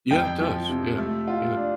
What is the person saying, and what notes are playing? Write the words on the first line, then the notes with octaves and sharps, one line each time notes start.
Yeah, it does, yeah, yeah,
F2 G5
F3
C3
A3
F4
D4